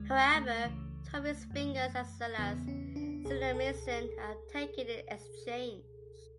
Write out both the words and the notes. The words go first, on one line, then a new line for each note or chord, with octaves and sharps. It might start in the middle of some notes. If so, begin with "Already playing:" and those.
However, two of his fingers, as well as Cinnaminson, are taken in exchange.
Already playing: D2 D3 G#3
A3
C#2 C#3 E3
F#2 E3
E2 C#3 E3 B3
C#4
D4
C#2 B2 G#4
A4